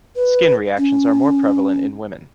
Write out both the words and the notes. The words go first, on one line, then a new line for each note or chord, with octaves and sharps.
Skin reactions are more prevalent in women.
B4
C#4